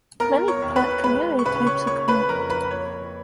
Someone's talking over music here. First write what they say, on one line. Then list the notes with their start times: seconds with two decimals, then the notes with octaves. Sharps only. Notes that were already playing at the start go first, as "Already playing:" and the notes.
Many plant community types occur.
0.20 B3 A#4 A#5
0.48 C#5 C#6
0.62 D#2
0.76 B4 B5
1.04 G#3 B4 B5
1.39 C#6
1.45 C#3 B4 B5
1.67 C#5 C#6
1.87 A#3 C#5 C#6
2.08 B4 B5
2.29 F2 A#4 A#5
2.50 B4 B5
2.71 A#3 C#5